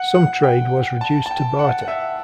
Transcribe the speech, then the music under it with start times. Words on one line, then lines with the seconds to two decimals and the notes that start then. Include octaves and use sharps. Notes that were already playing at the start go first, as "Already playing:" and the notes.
Some trade was reduced to barter.
Already playing: F#5
0.14 F#5
0.43 G5
1.01 A5
1.26 A5
1.31 G5
1.59 F#5
1.82 F#5
1.88 E5